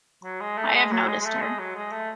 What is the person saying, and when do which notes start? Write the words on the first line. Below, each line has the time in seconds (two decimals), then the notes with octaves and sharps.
I have noticed her.
0.24 F#3
0.41 G#3
0.58 A3
0.74 G#3
0.92 F#3
1.08 G#3
1.20 G#3
1.25 A3
1.41 G#3
1.59 F#3
1.76 G#3
1.92 A3